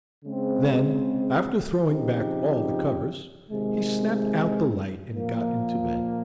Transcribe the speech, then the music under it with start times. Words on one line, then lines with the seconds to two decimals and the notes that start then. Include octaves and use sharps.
Then, after throwing back all the covers, he snapped out the light and got into bed.
0.25 C#3 G#3 C4
1.88 C#3 F3 C4 D#4 G4
3.51 C3 D#3 G#3
5.15 A#2 F3 A#3